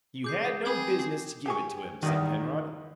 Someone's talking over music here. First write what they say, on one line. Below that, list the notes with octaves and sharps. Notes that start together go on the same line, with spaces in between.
"You had no biz'nuss to give it to him," said Penrod.
G#4 D6 G6 C7
C4 G#4 G#6
G4 G#4 C#6
E2 G2 D#3